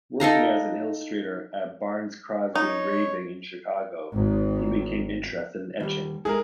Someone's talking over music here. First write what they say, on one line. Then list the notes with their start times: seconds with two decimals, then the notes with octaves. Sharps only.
Working as an illustrator at Barnes-Crosby Engraving in Chicago, he became interested in etching.
0.20 D#4 A4 F5 A#5
2.55 D#4 C#5
4.13 G#1 G#2
5.80 D#2 G3
6.25 G#3 E4 G#4 A#4